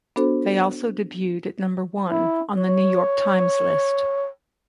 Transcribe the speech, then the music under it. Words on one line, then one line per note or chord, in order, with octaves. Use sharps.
They also debuted at number one on "The New York Times" list.
B3 D4 F#4 A4 C5
E4
C#5